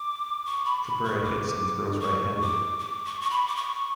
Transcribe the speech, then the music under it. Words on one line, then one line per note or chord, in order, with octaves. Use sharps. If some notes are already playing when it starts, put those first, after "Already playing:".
Cabrera hits and throws right-handed.
Already playing: D6
C#6
B5
B5
C#6
D6
C#6
D6
D6
C#6
C#6
B5
D6
C#6